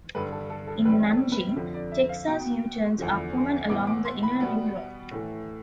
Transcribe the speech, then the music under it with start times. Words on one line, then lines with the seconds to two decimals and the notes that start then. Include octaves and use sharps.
In Nanjing, Texas U-turns are common along the Inner Ring Road.
0.15 G2 D3 G3 B4
0.32 A4
0.50 A4
0.67 A4
0.85 A2 G3 C4 B4
1.09 A4
1.32 B4
1.56 F2 D3 F3
1.74 D5
1.92 E5
2.09 F5
2.27 B2 B3 G5
2.98 E2 D3 F3
3.69 A2 E3 B3 D6
3.87 D6
4.05 C6
4.23 B5
4.40 B2 G3 B3
5.11 A2 E3 A3